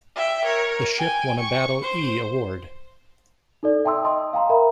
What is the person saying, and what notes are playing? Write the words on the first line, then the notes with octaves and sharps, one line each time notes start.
The ship won a Battle "E" award.
E5 G5
A#4 C#5
G5 G#5
C#6
C5
D#4 A4 D5
E5 G5 A5 C6 D#6 E6
D#5 A5 C6 D#6
F5 G5 A#5 C6
A#4 E5 A#5 B5